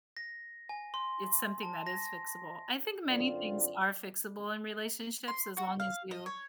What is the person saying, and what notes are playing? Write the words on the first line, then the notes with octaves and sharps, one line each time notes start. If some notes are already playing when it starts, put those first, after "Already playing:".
it's something that is fixable, I think many things are fixable in relationships as long as you
A#6
G#5
C6
A5
A#6
F#2 D3 C4 F4 D5
C6
F#4
F5
D#5
C#5